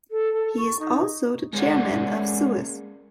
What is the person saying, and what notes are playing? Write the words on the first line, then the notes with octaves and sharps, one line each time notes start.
He is also the chairman of Suez.
A4
A4
C#6
D#4
G#3 A#3 C#4 G#4 D5 F#5